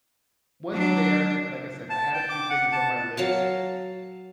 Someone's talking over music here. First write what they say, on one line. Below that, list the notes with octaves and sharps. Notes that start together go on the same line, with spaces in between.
once there- like I said, I had a few things on my list-
F#3 D4
A5
G5
D6
F#5
A5
F#3 F5 A5